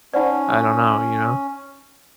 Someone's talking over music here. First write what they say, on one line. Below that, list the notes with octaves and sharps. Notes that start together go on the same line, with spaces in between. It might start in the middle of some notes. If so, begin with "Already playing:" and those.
I don't know, you know?
C#4 D#4 C5 D5 F#5 A5